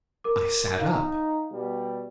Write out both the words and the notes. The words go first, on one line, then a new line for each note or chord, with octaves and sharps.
I sat up.
A#4 D6
D#4 F5
B2 G3